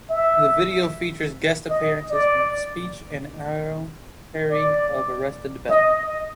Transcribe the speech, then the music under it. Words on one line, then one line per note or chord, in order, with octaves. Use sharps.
The video features guest appearances from Speech and Aerle Taree of Arrested Development.
E5
D#5
D5
D5
D#5